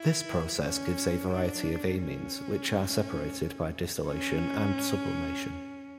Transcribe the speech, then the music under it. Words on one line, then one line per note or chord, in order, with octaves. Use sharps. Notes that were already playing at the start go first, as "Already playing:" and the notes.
This process gives a variety of amines, which are separated by distillation and sublimation.
Already playing: E4
C#4
D4
C#4
C#4